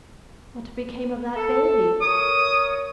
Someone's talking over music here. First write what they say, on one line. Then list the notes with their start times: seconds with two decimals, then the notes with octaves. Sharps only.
What became of that baby?
1.36 A4
2.01 A#4 C#5 D#6